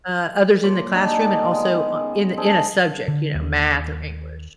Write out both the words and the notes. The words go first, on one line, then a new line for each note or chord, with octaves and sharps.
uh, others in the classroom and also o in a in a subject, you know, math or english.
A#2 C#5 C6 D6
G3 D4 D#4 G#4
A#4 D5 D#5
D#3 G#3 B3
C#3
D4 G#4 A4 C5
D3
D#2